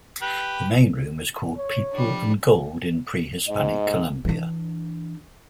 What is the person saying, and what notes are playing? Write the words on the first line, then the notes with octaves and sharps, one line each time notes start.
The main room is called "People and Gold in pre-Hispanic Colombia".
G4 B4
C#5
F3 G3 D4
G#2 D#5
E3 D4